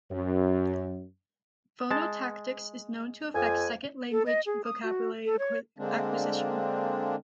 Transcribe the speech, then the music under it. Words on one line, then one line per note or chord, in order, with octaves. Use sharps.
Phonotactics is known to affect second language vocabulary acquisition.
F#2
G#3 A5
F2 G#5
A4
D#5
G#4
D#6
F#4
A4
C#5
D3 G#3 A#3 C4 D4